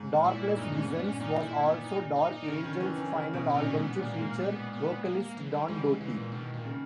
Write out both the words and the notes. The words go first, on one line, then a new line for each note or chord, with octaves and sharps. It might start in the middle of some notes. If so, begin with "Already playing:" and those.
"Darkness Descends" was also Dark Angel's final album to feature vocalist Don Doty.
Already playing: G#2
A#2
E4
A#2
G2 D#4
C#4
G#2
B3
A#2
C#4
A#2 D#4
E4
B3
D#4
D#4
D#4
C#3 C#4
D#3
E3
D#3
C#3
B2
A#2 D#4
C#4
G#2 B3
A#2 B3
A#3
G#2
B3
B3
A#3
A#3
E3
G3
G#2 G3
E3
C#3 E3
A#2
B2 D#3
A#2
C#3